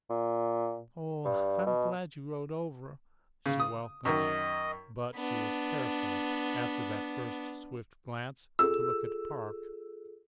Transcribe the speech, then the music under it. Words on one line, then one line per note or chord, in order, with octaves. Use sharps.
"Oh, I'm glad you rode over," she welcomed--but she was careful, after that first swift glance, to look at Park.
A#2
G2
B2
C#3
D#6
F#2 D#3 D#5
B3 D4
F4 G#4 A4 E6